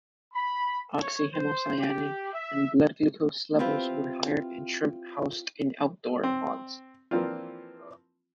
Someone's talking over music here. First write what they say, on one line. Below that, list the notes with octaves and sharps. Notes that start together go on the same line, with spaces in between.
Oxyhemocyanin and blood glucose levels were higher in shrimp housed in outdoor ponds.
B5
C#5
C5
G4
E5
C4 E4 F4 G4 B4
C4
E3 F3 A#3 C4 D4 F4